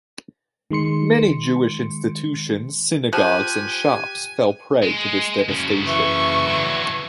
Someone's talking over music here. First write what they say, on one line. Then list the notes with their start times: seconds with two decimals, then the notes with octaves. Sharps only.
Many Jewish institutions, synagogues and shops fell prey to this devastation.
0.71 D#3 G#3 C6 C#7
3.13 F3 G4 G#5 F#6 G6
4.82 G#3
5.49 F#2 C#3
5.88 E3 C#6
6.47 D3 F#3